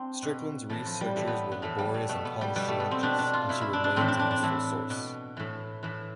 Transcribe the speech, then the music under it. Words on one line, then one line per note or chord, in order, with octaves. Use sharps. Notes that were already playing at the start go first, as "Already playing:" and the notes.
Strickland's researches were laborious and conscientious, and she remains a useful source.
Already playing: C4 D4
B2
A2 E3 A3
F3
G3
A2 E3 A3
B3
B3
A2 E3 A3
G3
A3
B2 A3
B3
G3
B2 G3
A3
B3
C4
B2 D4
D4
F4
B2 E4
E4
D4
D4
A2 E3 C4
D4
D4
D4
A2 E3 E4
B2
A2 E3
A2 E3